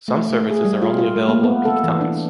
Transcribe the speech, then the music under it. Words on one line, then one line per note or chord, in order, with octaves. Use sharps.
Some services only are available at peak times.
A3
A3
G#4
G3
F4
F4
A3
A#3
B3
A4
E3
D4